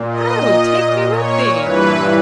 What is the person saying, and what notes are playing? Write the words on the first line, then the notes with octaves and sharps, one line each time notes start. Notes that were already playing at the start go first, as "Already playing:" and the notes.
'Oh! take me with thee!'
Already playing: A#2
D#5
C#5
G2 E3 B4